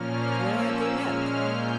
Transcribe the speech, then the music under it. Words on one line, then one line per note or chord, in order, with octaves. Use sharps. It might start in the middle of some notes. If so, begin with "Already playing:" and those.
Where had they met?
Already playing: A#2 F3 A#3 C#4 F6
F3 A#3 C#4 E6
A#2 G#3 C#4 F6
A#2 G6